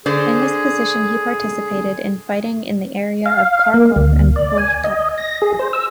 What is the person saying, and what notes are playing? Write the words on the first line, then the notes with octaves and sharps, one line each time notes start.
In this position he participated in fighting in the area of Kharkov and Poltava.
D3 G#4 C5 D5
F5
A#3
D2
D5
G#5
D#5
A#6
G#4
C5
E6